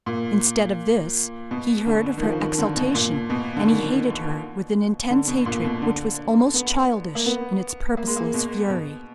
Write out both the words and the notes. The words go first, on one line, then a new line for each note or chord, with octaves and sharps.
Instead of this, he heard of her exaltation, and he hated her with an intense hatred which was almost childish in its purposeless fury.
A#2
B2
D3
D#3
F3
D#3
D3
B2
A#2
B2
D3
D#3
D3
B2
A#2
B2
D3
B3
A#3
B3
A#3
G#3
A#3
B2
B2